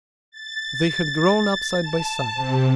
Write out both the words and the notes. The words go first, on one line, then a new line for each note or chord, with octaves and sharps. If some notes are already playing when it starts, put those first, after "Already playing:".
They had grown up side by side.
A6
A5
C3